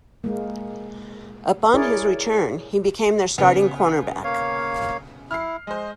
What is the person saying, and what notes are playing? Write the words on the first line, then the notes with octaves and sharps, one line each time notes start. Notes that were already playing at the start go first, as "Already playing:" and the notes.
Upon his return, he became their starting cornerback.
G#3 A#3
E4 G#4 A#4 C#5 D5
C#3 B3
A#3 C#5 F5
E4 F6 C7
G#3 C5 D#5